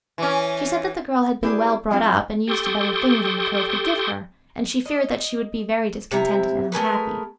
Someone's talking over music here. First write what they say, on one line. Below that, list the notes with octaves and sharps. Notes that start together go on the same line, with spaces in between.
She said that the girl had been well brought up and used to better things than the Cove could give her, and she feared that she would be very discontented and unhappy.
E3 C#4
E4 G4 G#4 B4 D5
F#3 G#3 C4 D4 F4
G4 A4 G5 C6 C#6 D#6
D#5
C3 E4 A#5
A3 G#4 A#4 B4